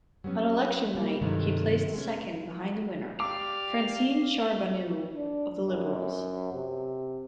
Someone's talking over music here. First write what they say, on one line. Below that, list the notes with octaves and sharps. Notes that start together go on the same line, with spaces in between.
On election night, he placed second behind the winner, Francine Charbonneau of the Liberals.
F#3 G3 B3 C#4
G3 A#3
G2 C3 D#3 F#3 G#3 A3
G#3 B3 C#4
G4 D5 F5 D6
D4
F#2
C3